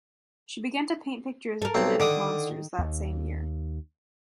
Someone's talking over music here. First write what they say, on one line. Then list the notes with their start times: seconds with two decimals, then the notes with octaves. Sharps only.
She began to paint pictures of genetic monsters that same year.
1.62 A4 A#4
1.75 B1 C4
2.00 D3 D#3 D6 D#6
2.79 D#2